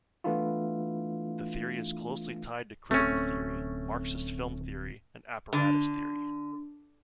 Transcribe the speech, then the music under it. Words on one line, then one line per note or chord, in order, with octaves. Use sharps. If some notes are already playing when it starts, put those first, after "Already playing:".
The theory is closely tied to Critical theory, Marxist film theory, and Apparatus theory.
E3 A3 B3 D4 E4 F4
D1 C3 A3 C4 C#4
D3